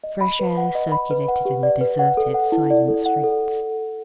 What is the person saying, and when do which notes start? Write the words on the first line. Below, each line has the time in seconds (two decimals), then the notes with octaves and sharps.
Fresh air circulated in the deserted, silent streets.
0.04 D#5
0.21 B5
0.40 B4
0.57 F#5
0.75 D#5
0.92 B5
1.11 B4
1.28 F#5
1.45 G4
1.63 D5
1.81 B4
1.99 F#5
2.17 A4
2.34 F#5
2.52 E4
2.70 D5
2.88 A4
3.06 F#5
3.24 A4